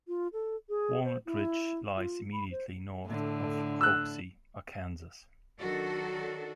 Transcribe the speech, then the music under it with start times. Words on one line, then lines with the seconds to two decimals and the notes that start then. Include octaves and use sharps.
Walnut Ridge lies immediately north of Hoxie, Arkansas.
0.08 F4
0.33 A4
0.69 G#4
1.04 C5
1.26 E4
1.97 F4
2.33 B5
2.52 C5
3.06 A2 D3
3.81 E6 F#6
5.60 D#3 F#3 D4 F#4 A4